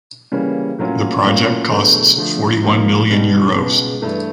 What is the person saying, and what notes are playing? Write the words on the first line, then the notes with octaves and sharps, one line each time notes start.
The project costs forty one million Euros.
C#3 E3 G3 A#3 C#4
A2 F#3 A#3 C#4 F4
A2 F#3 A#3 C#4 F4
E2 B2 F#3 A3 D4
D3 F3 A3
C3 F3 A#3 D#4
B2 G3 B3 D#4
C#2 B2 G#3
G2 E3 A3